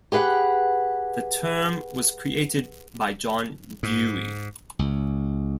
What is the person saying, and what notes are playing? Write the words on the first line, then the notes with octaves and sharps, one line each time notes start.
The term was created by John Dewey.
G4 G#4 B4 F5 F#5
G#2
C#2